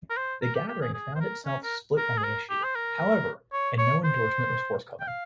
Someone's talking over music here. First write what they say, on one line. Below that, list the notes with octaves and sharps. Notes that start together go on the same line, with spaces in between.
The gathering found itself split on the issue, however, and no endorsement was forthcoming.
A#4
C5
A#4
G4
G4
G#4
G#4
C5
A#4
C#4
A#4
A#4
G#4
A#4
G4
C5
A#4
C#5
C#5
C5
G5
F5